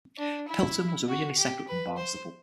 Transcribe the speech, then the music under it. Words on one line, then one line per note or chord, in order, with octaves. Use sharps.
Pilton was originally separate from Barnstaple.
D4
E4
F#4
G4
B4
C5